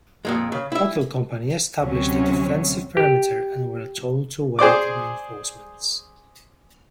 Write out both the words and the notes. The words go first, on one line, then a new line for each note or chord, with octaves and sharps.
Hotel Company established a defensive perimeter and were told to await reinforcements.
F2 A#2 G#3
C#3
E4 E5
D2 C3 F#3 C#4
G4
G#4 C5 D5 D6